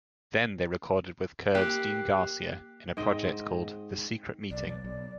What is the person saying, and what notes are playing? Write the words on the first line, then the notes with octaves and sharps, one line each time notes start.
Then they recorded with Curve's Dean Garcia in a project called "The Secret Meeting".
A#3 G4 F#6 C7
G#2 C4 D#5 G5
B1 D5
D5
B1